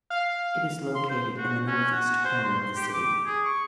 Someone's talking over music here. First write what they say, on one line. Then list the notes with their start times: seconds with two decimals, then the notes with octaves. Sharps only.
It is located in the northeast corner of the city.
0.10 F5
0.95 C6
1.09 C5
1.37 F#4
1.67 C#4
1.92 F#4
2.24 C5
2.44 C6
2.76 G4
2.93 D6
3.26 G#4
3.45 C#6